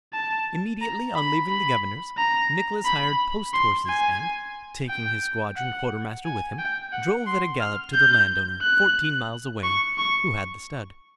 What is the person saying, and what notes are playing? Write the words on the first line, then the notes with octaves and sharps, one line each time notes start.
Immediately on leaving the governor's, Nicholas hired post horses and, taking his squadron quartermaster with him, drove at a gallop to the landowner, fourteen miles away, who had the stud.
A5
A#5
B5
B5
A#5
B5
C6
G#5
G5
F#5
G#5
G5
F#5
C6
F6
G6
F#6
C#6
C#6